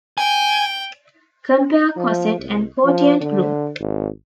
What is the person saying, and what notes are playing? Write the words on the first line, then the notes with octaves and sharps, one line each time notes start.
Compare coset and quotient group.
G5 G#5
F3
C2
F3
D3
G#1